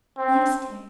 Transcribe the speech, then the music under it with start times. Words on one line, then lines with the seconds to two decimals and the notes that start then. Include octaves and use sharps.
"Yes, dear."
0.17 C4